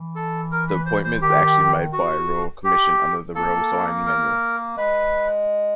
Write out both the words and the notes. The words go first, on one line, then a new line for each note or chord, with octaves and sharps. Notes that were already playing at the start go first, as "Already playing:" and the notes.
The appointment is actually made by a Royal Commission under the royal sign-manual.
Already playing: E3
A4
A#4
B4
C5
C5
D#3 G4
F#4
G4
A#3 A4
A#4
G#3 B4